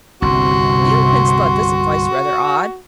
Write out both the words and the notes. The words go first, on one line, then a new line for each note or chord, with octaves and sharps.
The young prince thought this advice rather odd.
G1 C2 C3 F#4 C6